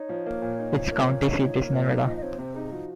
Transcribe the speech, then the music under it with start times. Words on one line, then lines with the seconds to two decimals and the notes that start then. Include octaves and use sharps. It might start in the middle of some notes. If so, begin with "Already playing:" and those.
Its county seat is Nevada.
Already playing: D#4 C#5
0.09 F3
0.26 A#3
0.42 A#2
0.59 D#4
0.75 F3
0.91 A#3
1.07 A#2
1.24 D#4
1.41 F3
1.57 A#3
1.73 A#2
1.89 D#4
2.06 F3 D#5
2.17 D#5
2.22 C4 C#5
2.38 C3 C5
2.55 D#4 G#4
2.72 F3 F#4